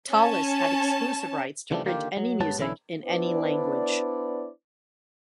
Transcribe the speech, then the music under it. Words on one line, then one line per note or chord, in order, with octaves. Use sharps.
Tallis had exclusive rights to print any music, in any language.
C#4 A5
C#3 E3 F3 G3 A3 D4
D3 D#3 A#3 C4 F4 G4
F#3
G2 G#3 B3 G4 C#5 A5
B1 D3 E3 C#4 E4
B3 D4 E4 B4 C5 D5